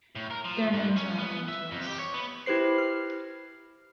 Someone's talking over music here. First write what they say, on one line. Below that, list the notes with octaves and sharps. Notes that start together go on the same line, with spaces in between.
Their names are unknown to us.
A2
A#4
F3
G#2
C#4
B3
E5
F2
G4
C#5
B3
E4 G4 B4 C5 C7
F6